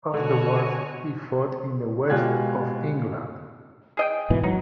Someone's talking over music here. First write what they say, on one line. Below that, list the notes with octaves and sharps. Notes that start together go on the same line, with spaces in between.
Afterwards he fought in the west of England.
B2 D3 F#4 C#5 G#5
B2 G#3 F4 G4 F#6 G#6
G#4 D#5 G5
G#2 B2 E3
F#3 D#4